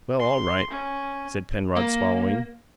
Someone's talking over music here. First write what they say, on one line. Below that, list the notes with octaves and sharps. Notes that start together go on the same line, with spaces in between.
"Well, all right," said Penrod, swallowing.
C6
C#4
A#3